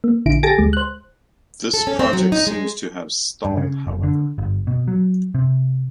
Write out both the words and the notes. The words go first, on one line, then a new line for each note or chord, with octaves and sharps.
This project seems to have stalled however.
A#3
A#1 D3 E4 D7
G4 A4 G#5 A6 A#6 D7
D2 G#3
C5 F#6
A4
C#4
C4
F#3
D#4
G#3
G2
C#3
F#1
D3
G1
B2
F#3
C3